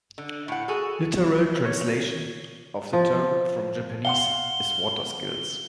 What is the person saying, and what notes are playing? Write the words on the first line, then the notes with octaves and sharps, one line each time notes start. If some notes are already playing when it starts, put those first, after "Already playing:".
Literal translation of the term from Japanese is "water skills".
D3
A2 F#5
F#4 G#4 A4
C#5
F3
F5 F#5 C6 G7